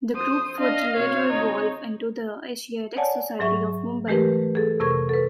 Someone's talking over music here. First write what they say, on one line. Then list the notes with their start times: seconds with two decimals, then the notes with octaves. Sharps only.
The group would later evolve into the Asiatic Society of Mumbai.
0.15 F2 C5 D#6
0.60 D4 D#5 F5
0.97 B2 C4 C#5
1.30 D2 D#4
2.96 C#5 D5 F#5 G#5 A5
3.39 G#2 F#3 G#4 E5 C#6
4.07 E3 G#3 A3 G4 A#4 B4
4.55 G#4 A4
4.80 F2 C3 A#4 C#6 G#6
5.09 A4 B4